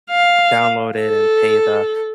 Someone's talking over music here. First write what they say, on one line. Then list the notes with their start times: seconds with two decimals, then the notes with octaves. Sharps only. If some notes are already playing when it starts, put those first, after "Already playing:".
download it and pay the
0.10 F5
0.99 A4